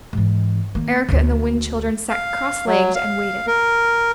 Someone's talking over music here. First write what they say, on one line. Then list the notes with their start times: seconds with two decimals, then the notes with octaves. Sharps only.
Eric and the Wind Children sat cross-legged and waited.
0.13 G#2 E3
0.75 D#3 A#3
1.09 D2 D3
2.09 F5
2.66 F#3
2.95 F5
3.47 A#4